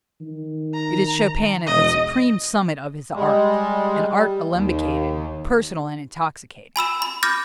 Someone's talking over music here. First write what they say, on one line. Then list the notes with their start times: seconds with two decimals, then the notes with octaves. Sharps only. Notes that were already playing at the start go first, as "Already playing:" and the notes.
It is Chopin at the supreme summit of his art, an art alembicated, personal and intoxicating.
0.21 D#3
0.74 A#5
1.66 E1 D#5
3.12 G3 G#3
4.13 G3
4.51 D#2
6.76 G#5 B5 E6 E7
7.02 B5
7.23 D6 F6 G6 A6 A#6